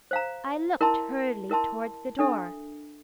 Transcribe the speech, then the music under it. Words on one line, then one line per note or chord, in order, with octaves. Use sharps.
I looked hurriedly towards the door.
C5 F5 A#5
E4 A#4 E5 A5 C6
E4 A#4 E5 A5 C6
D4 A4 E5